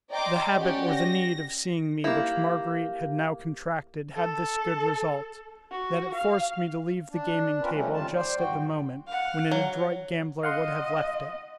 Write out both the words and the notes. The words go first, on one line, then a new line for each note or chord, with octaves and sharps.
The habit or the need of seeing me which Marguerite had now contracted had this good result: that it forced me to leave the gaming-table just at the moment when an adroit gambler would have left it.
D5 D#5 G5 A#5 C6 D6
C#4 F#4 G4 D5
A#6
A#3 E4 G4 A#4 F5
A4
F#4
F5
D4
C4 C#4 F4 A#4 B4
C#3 F3 G3 A3 C4 C#4
F#2 C3 D#3 G3 F4 A5
C5 D5
E2 G2 F#4 G5
F5 F#5
F#3
D#5 F5 F#5 C6